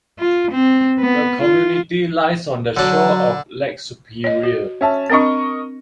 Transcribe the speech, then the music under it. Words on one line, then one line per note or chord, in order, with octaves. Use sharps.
The community lies on the shore of Lake Superior.
F4
C4
B3
F4
D3 F#3 D4
C#5 D#5
F#4
C#4 E5 A5
C4 D4 A#4 D#5 C#6